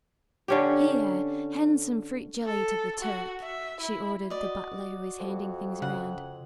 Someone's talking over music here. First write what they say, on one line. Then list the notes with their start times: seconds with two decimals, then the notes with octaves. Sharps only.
"Here, hand some fruit jelly to the Turk!" she ordered the butler who was handing things round.
0.48 D3 C#4 G4
2.46 A4
3.01 F#4
3.41 E5
3.80 E4
4.30 F#4 D5 D#5
5.20 F2
5.82 C#3 F#5